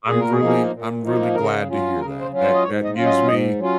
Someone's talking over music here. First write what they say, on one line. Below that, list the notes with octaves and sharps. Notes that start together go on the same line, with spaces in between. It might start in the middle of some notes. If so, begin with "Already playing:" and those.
I'm really I'm really glad to hear that. That that gives me
A#2 G#4
A#4
G#4
F3 A#3 D#4
A#2
F3 A#3 D#4
C#3 A#4
F#3 C#4 F4
C#3 A#4
C5
F#3 C#4 F4
C5
D#5
G#2 C#5
D#5
F#3 C#4 F4
D#5
G#2 D#5
F#3 C#4 F4